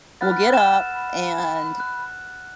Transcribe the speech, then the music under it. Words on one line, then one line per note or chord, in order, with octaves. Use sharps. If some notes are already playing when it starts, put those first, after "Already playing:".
will get up and
B4 F#5 A5 F6 F#6 A6
E6 F#6 E7
B5
F#6